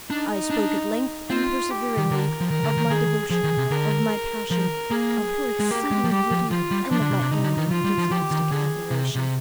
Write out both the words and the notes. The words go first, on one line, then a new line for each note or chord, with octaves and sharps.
I spoke at length, and perseveringly of my devotion, of my passion--of her exceeding beauty, and of my own enthusiastic admiration.
D4 D#4
D4
C4 F4
G4
D#3
D3 A#4
F3
D#3 A#4
D3
D#3
D#3 G#4
F3 G#4
D#3
C3
D3 A#4
F3 A#4
A#3 G#4
G#3
A#3 G4
G#3
F3
G3 G4
F3
F3 F4
G3
F3 D4
D3
C3
C3
D3 D#4
C3
D3
D#3
F3 F4
G3
F3
F3 G4
D#3
D3 G#4
C3
C3